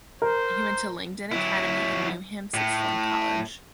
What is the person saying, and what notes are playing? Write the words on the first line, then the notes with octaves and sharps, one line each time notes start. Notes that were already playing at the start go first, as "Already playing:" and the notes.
He went to Langdon Academy and Newham Sixth Form College.
A#4 C5
F#3 E4
A2